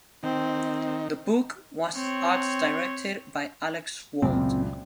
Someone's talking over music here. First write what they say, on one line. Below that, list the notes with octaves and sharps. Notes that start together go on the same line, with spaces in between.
The book was art-directed by Alex Wald.
D#3 C4
C4 C#5
C#2 F#2 A#2 C4